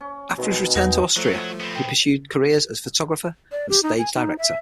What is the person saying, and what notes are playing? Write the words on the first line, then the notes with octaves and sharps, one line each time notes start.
After his return to Austria, he pursued careers as a photographer and stage director.
C#4
B2 D#3 G#3
E2 B4 D#5 F#5 G5 A#6
F3 F#3 A3 C5
B3 C4
A#2 G5
D5
G4
D#4
G#5
D#4
E5